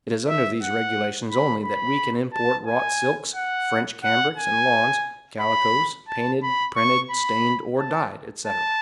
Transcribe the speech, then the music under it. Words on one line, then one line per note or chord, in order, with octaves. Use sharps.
It is under these regulations only that we can import wrought silks, French cambrics and lawns, calicoes, painted, printed, stained, or dyed, etc.
E5
F#5
B5
B5
A5
G#5
F#5
F#5
G#5
B5
A5
B5
C#6
B5
A5
A5